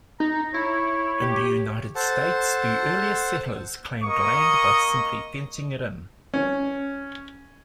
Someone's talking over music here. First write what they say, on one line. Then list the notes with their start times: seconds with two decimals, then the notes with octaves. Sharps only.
In the United States, the earliest settlers claimed land by simply fencing it in.
0.20 D#4 A#5
0.54 E4 C#5
1.22 G4
1.96 A4 C5 F#5 A5
4.04 A#3 D#5 C#6 D#6
6.34 C#4